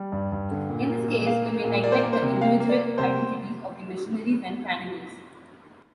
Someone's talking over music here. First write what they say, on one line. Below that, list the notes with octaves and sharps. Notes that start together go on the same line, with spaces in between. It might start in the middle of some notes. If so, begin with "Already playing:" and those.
In this case we may neglect the individual identities of the missionaries and cannibals.
Already playing: G3
G2 D5
G2
D3
A#2
A#3
A#2
A#3 F5
A#3
A#2
A#3 D5
C5
D5
A#3
C5
C3
A#3 F5
A#3
D5
A#3
C3 C5